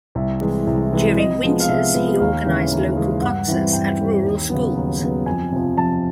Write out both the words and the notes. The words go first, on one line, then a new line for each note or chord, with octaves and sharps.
During winters, he organized local concerts at rural schools.
C2 E5
C3 E3 G#3
C2
C3 E3 G#3
C3 D#5
F3 G#3 B3
F5
C3 E5
F3 G#3 B3
D#2 F5
C#3 E3 G#3 C#4
D#2
C#3 E3 G#3 C#4
G2 F#5
E3 G3 C4
G2 G5
E3 G3 C4
D#2
C#3 F#3 B3
D#2
C#3 F#3 B3
F2 G#5
C3 F3
F2 A5